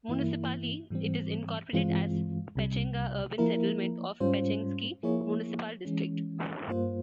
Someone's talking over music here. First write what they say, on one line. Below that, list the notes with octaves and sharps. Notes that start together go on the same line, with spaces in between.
Municipally, it is incorporated as Pechenga Urban Settlement of Pechengsky Municipal District.
G2 E3 A#3 E4
G#2 E3 G3 C4
G2 E3 G#3 C4 F4
C2 C3 G3
F3 A#3 E4 A#4
G#2 G3 C#4 F4 C5
F3 A#3 E4 G#4 C#5
E3 G#3 C#4
G2 G3 A#3 F4 C5